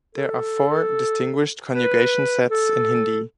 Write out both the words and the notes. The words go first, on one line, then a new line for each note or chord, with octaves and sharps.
There are four distinguished conjugation sets in Hindi.
A4
B4
A4